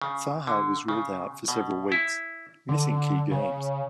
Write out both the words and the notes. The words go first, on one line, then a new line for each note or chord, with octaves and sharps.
Saha was ruled out for several weeks, missing key games.
C#3
D3
C#3
B2
E4
D3
C#3